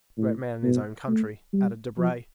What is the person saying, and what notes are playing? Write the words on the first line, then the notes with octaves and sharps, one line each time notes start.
"A great man in his own country," added Debray.
A2
B2
A3
G3
F3